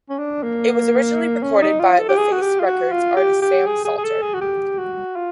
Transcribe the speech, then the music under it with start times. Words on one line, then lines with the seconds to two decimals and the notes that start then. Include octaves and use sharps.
It was originally recorded by LaFace Records artist Sam Salter.
0.10 C#4
0.19 D4
0.43 A#3
1.42 C#4
1.62 D#4
1.80 F4
1.99 A4
2.09 G4
2.17 G#4
2.32 F#4
2.42 G4
2.60 F4
2.66 F#4
2.92 F4
3.17 G4
3.42 G4
3.66 G#4
3.85 G#4
3.97 G#4
4.04 A4
4.22 G#4
4.34 F#4
4.41 G4
4.78 F#4
5.16 F4